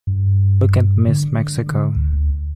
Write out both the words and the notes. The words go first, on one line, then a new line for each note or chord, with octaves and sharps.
Look at Miss Mexico.
G2
D3
D2